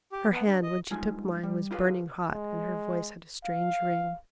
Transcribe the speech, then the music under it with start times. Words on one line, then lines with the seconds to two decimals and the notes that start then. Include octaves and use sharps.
Her hand, when she took mine, was burning hot, and her voice had a strange ring.
0.12 G4
0.31 B3
0.48 D4
0.63 D#5
0.91 G2 G#3 D#4 F4 G#5
1.43 G3
1.71 E4 F4 G4 G#4 B4 F5
2.32 G#3
3.45 F5